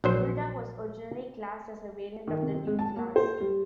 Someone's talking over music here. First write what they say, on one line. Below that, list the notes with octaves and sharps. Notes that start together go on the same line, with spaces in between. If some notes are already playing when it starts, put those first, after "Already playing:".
"Bulldog" was originally classed as a variant of the Duke Class.
A#1 F#3 C5
D#3
C3
C4
G#3
A5
A#3
C5
G3